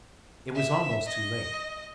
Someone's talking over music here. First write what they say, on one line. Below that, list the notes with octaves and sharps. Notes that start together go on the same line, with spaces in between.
It was almost too late.
E5
D#5